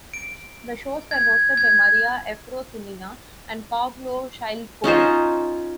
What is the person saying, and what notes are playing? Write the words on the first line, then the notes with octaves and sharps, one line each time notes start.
The shows were hosted by Maria Efrosinina and Pavlo Shylko.
D7
G#6
G#6
C#4 D#4 F4 C5